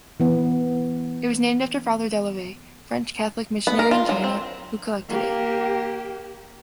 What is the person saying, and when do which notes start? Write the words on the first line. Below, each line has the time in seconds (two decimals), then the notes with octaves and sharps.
It was named after Father Delavay, French Catholic missionary in China, who collected it.
0.20 E3 B3
3.67 B3
3.79 A#4
3.91 F4
4.09 F#3
4.24 C4
5.09 A#3 G4